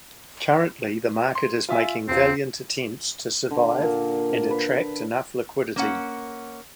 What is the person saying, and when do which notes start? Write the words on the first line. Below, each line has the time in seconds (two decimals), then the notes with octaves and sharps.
Currently the market is making valiant attempts to survive and attract enough liquidity.
1.35 C6
1.69 F4 E5 G#5
2.08 E1 C4 F4
3.51 D3
3.79 A#2 A#3
4.50 B4
5.76 A#3 C#4 F#5